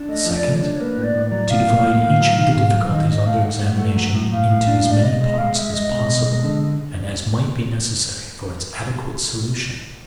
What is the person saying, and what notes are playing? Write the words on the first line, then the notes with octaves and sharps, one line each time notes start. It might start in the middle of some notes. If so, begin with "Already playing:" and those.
The second, to divide each of the difficulties under examination into as many parts as possible, and as might be necessary for its adequate solution.
Already playing: D4
A3 D#5
F3
D#5
D5
A3
C#5
D4
A#3 B4
A2
D5
A2
D5
F#3
A2 F5
A#3
A2
A2
F#3
D#3
G#2
F#3
D#3 D#5
G#2 D#5
A3 F5
G#2 F#5
A2
A3
F#3
A2
A2 F5
A2
D4
A2
D5
B2 D#5
G#3 D#5
G#3 F5
G#3 E5
G#3 D#5
B2
B2
G#3
D3 D#5